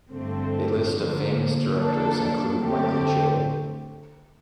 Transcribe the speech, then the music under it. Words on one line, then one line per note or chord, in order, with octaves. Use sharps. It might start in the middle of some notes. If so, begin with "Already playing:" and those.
A list of famous directors includes Michael J.
G1 G2 D3 A3 C4
D3 F3 A#3
D3 F3 A#3 D4 A4
D3 A3 C4 G4